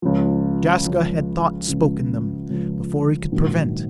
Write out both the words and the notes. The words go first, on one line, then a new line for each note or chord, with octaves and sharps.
Jaska had thought-spoken them, before he could prevent.
C#2 C#3 F3
C#2 C#3 F3
C#2 C#3 F3
C#2 C#3 F3
A#1 G#2 D#3 F#3 A#3